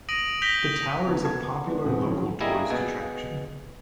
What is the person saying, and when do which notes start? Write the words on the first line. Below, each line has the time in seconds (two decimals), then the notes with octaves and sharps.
The tower is a popular local tourist attraction.
0.09 D#6 A#6 D7 D#7 F#7
0.42 G6 A#6 B6 F7 G7
1.07 D2 D3 F3 B3
1.23 B2 A#4 A5 G#6
1.48 D3 F#5 C6
1.66 E3 G#3 B3 D4
1.84 D#1 E3 C4 F#5 D#6
2.04 D#3 F3 F#3 C#4
2.40 G3 A#3 E4 G#4 D#5
2.70 B2 G#4